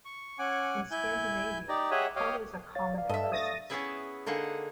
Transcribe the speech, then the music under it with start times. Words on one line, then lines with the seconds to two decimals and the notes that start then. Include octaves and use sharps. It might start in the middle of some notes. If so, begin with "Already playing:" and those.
In Scandinavia crullers are common at Christmas.
0.05 C#6
0.39 C#4 F#5 G#5 D6
0.91 E4 G#5 G6
1.69 D#4 G4 D5 A#5
1.91 G4 G#4 C#5 D#5 E5 F#5
2.16 G4 C#5 D#5 F5 G5
2.75 C#5 F5 A6
2.94 D5 F5
3.09 G2 A4 D#5 E5
3.32 A3 D#6 A6 A#6
3.70 B3 C#4 E4 G#4 B4 E5
4.26 D3 A#3 D#4 G#4 F#5